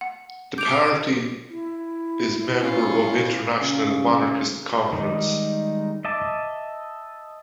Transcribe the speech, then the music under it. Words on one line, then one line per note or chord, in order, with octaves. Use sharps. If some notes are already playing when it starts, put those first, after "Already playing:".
The party is member of International Monarchist Conference.
F#5
D6 G6 F7
E4
C#4 F4
C#3
D#3 G3 G#3 D#4
D#5 E5 A5 D6